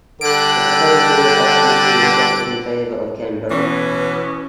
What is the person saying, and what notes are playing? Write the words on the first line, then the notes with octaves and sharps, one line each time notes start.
The proposal was ultimately rejected in favour of Canberra.
D3 G3 A4 F#6 D7
B2 E3 B3 C#4